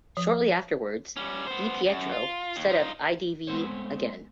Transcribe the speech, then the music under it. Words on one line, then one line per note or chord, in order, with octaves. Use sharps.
Shortly afterwards, Di Pietro set up IdV again.
F3
G3 C#4
B3 C5
F#2
F4
D#2
D#4 F4
G#3 A3 B3 C4 C5 C#5